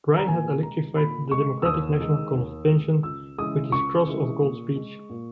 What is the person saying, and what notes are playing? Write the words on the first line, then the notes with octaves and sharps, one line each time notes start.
Bryan had electrified the Democratic National Convention with his Cross of Gold speech.
A#5
A#2 G#5
G#3 A#5
A#2 B5
G#3 C#6
E6
D#2 D#6
D#3 G#3
D#2
D#3 G#3
C#2 E6
C#3 E3 G#3 D#6
C#2 C#6
C#3 E3 G#3
A#2
G#3
A#2